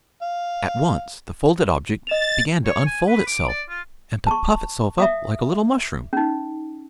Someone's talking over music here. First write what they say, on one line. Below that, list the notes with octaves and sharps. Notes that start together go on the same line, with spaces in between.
At once the folded object began to unfold itself and to puff itself up like a little mushroom.
F5
D#5 A6 E7 F7
C#5
G#5
B4
D6
D5
F4
A5 C#6
E5 F5 D#6
C#4 D#4